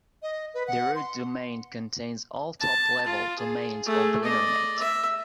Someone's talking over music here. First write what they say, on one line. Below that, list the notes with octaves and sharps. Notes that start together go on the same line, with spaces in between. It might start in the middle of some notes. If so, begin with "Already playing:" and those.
The root domain contains all top-level domains of the Internet.
D#5
B4
F#5
C6
A5
F4
G#4
A3 G#4
D5 D#5
E5